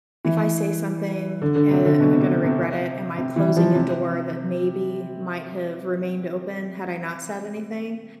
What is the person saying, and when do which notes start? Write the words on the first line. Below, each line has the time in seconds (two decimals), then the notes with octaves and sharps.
if I say something, eh, am I gonna regret it? Am I closing a door that maybe might have remained open had I not said anything?
0.25 E3
1.42 D3
1.56 D3
1.71 C3
1.86 D3
2.00 B2
2.14 C3
2.44 C3
3.18 C3
3.36 E3
3.57 F3
3.75 C3